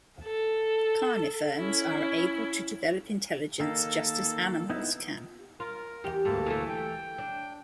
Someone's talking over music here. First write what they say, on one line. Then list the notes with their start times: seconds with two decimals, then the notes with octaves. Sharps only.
Carniferns are able to develop intelligence just as animals can.
0.24 A4
1.57 C#4 E4
3.60 D#3 A#3 A4
4.70 B3 D#4 E4
5.60 F4 A#4
6.04 E2 G4
6.25 D2 G#2 A#3 A4
6.46 E3 A3
6.69 G5
7.18 D4